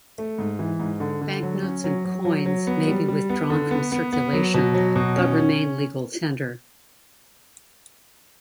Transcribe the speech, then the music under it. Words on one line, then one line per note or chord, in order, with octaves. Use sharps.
Banknotes and coins may be withdrawn from circulation, but remain legal tender.
A3
G#2
E3
G#2
D3
D3
F#3
C#4
F#3
F#3
F#3
F#3
B3
G3
G3
B3
D3
B3
B3
B3
F#3
B2
F#3
B2
C#4
C#4